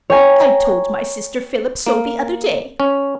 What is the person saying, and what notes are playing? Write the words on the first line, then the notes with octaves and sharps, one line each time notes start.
I told my sister Phillips so the other day.
C#5 G5 G#5 A#5
A#3
C#4